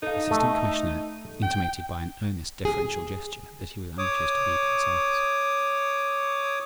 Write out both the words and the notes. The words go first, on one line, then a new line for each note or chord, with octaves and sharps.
The Assistant Commissioner intimated by an earnest deferential gesture that he was anxious to be concise.
D#4 A4 F5
A3
G5
G#4
C#5 D6 D#6